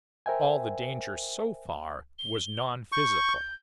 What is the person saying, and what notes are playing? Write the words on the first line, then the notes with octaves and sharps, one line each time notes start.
All the danger so far was nonphysical.
A#4 C5 E5 G5 G#5
G7
C#6 G6